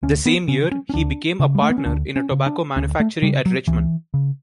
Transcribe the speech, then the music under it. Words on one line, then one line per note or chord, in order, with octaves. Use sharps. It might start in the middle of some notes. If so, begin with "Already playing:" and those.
The same year, he became a partner in a tobacco manufactory at Richmond.
D2 C#4
B3
C#3 C#4
C#4
C#4
D2 D4
C#3
G3
A3
B3
C#4
D2 D4
C#4
C#3
D4
D2 C#4
A3
C#3 G3
F#3
C#2 E3
C#3